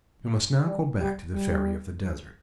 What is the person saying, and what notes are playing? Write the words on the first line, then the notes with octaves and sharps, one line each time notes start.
We must now go back to the Fairy of the Desert.
G3
G3
G3